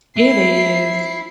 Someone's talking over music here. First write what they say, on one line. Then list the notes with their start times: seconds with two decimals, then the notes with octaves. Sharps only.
It is.
0.17 E4 C7